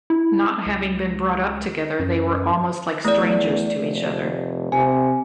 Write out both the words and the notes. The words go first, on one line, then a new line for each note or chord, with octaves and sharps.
Not having been brought up together they were almost like strangers to each other.
E4
C#2
F#2
E2 A3 D5
F1
C3 G#5